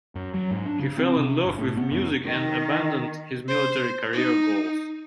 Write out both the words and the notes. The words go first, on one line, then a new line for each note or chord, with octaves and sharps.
He fell in love with music and abandoned his military career goals.
F#2
F#3
G#2
D4
C#3
C4
C3
G1
A2
B3
F#2
D#3
C5
D#4